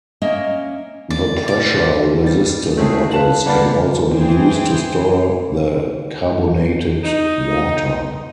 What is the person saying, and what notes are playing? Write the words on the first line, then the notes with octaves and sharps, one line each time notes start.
The pressure resistant bottles can also be used to store the carbonated water.
A#3 C#4 D#5 E5
D5
D5
G3 A6
G#3 A3 C4 C#4 E4 G#4
B4 F5 A5 E7 F#7
G2 A#3 B3 D4 B5 A6
E3 G#4 C5 G5
D#4